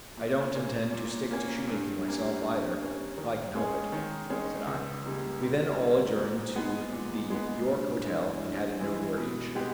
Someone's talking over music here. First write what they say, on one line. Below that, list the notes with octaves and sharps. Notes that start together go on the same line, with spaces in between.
"I don't intend to stick to shoemaking myself either if I can help it," said I. We then all adjourned to the York Hotel and had a nobbler each.
A#2
A#3 C#4
A#2
A#3 C#4
G2
G3 A#3 C#4
G2
G3 A#3 C#4
D#3
G#3 C#4 G#4
D#3
G#3 C#4 G#4
C#2
C#3 G3 A#3
C#2
C#3 G3 A#3
A#2
G#3 B3
A#2
G#3 B3
G2
E3 G#3
G2
E3 G#3
B2
G#3 B3 G4